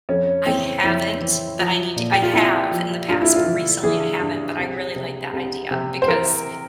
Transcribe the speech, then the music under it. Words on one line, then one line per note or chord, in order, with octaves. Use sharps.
I haven't, but I need to I have in the past, but recently I haven't, but I really like that idea because
F2 C#4
E3 C4
F2 E4
E3
F3
A#2
G4
F4
C2 E4
F3
G2 F4
E4
F4
E3
E3 G#4
G2
C2
C3
C2
C3
C5
E3 A#4